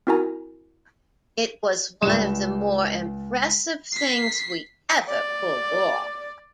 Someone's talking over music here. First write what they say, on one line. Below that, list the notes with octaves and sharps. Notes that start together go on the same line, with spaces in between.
It was one of the more impressive things we ever pulled off.
C4 E4 F#4 A#4 G#5 A#5
C#2 G3 E7
B6 C7
D5